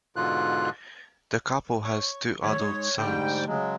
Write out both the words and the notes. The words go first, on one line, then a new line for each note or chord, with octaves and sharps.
The couple has two adult sons.
G#2 B2 D3 F4 F#6
C#5
D#3 G3 A3 C#5
G#3 D#4
G#2 D3 G3 A3 G4 G5
C#3 F#3 G#3